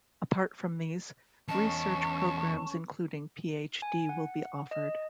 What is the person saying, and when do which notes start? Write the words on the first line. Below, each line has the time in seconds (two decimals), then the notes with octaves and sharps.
Apart from these, research programmes including Ph.D. will be offered.
1.48 E2 C#4 D#5 A5 C#6
3.82 G#5
4.09 F#5
4.71 D#5